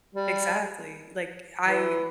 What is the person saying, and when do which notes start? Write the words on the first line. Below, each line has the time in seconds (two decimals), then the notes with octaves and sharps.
Exactly, like, I
0.15 G3
1.65 E3